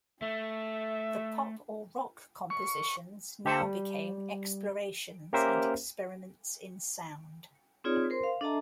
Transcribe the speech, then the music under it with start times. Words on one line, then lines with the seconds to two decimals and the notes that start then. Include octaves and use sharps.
The pop or rock compositions now became explorations and experiments in sound.
0.22 A3 E5
2.50 C#6
3.45 D3 G4 A4 C5 E6 C#7
3.61 G3
5.33 A#3 C#4 G4 A#4 C5 E5
7.84 C4 D#4 F4 G#4 C#5 D5
8.10 A#4 C5 C6
8.24 F5
8.41 D4 A4 D#5 E5 A5 A#5